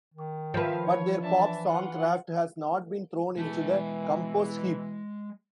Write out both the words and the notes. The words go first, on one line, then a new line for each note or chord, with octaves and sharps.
But their pop songcraft has not been thrown into the compost heap.
D#3
F3 B4 E5 F5
C#5
E3 D4 E5 A5
F4 F#5
B2 E3 G#3 A5